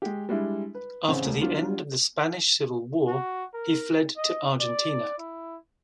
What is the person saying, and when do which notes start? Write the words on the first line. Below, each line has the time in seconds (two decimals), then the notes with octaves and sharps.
After the end of the Spanish Civil War he fled to Argentina.
0.02 G#3 G4
0.29 G3 G#3 D4 E4
0.75 B4
1.08 A1 C#3 C4
1.26 E1 D2
1.42 F#3 G3 B3 D4 F4
3.07 F#4
3.54 A#4
4.17 D#5
4.60 D5
5.18 E4